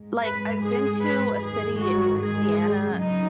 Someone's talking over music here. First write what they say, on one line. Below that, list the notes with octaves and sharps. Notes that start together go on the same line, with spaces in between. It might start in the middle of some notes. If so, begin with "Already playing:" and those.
Like, I've been to a city in Louisiana,
Already playing: G#2 G#3
B4
G#4
B4
G#2 D#3 G#3 G#4
F#4
G#4
F#2 C#3 F#3 D#4